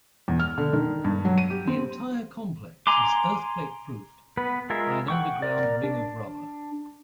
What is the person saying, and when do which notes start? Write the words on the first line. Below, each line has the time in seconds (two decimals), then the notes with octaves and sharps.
The entire complex is earthquake-proofed by an underground ring of rubber.
0.28 E2
0.40 F6
0.58 D3
0.73 D#3
1.04 G2
1.25 F#3
1.38 D#7
1.50 G4
1.67 C4
2.87 G#5 A#5 C6 D6
4.37 B3 B4
4.70 G#3 F4 G#4 A#4 E5
5.08 F#5 G5 C#6
5.42 A#4 D5
5.83 D4